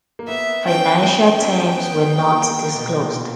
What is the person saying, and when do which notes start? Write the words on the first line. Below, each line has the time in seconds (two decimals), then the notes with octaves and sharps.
Financial terms were not disclosed.
0.19 A#3
0.28 B3 E5
0.65 C#4 G5
1.02 B3 G5
1.39 C#4
1.64 C#4
1.77 B3
1.95 B3
2.14 A#3
2.32 A#3
2.51 A#3
2.75 B2
3.00 A#2